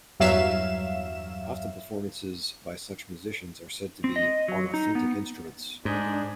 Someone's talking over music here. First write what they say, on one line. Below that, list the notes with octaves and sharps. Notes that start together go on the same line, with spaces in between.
Often performances by such musicians are said to be "on authentic instruments".
E2 G2 F#3 E5 F5 E7
C4
D#5
F#3
D#4
B3
G#2 D4 G#4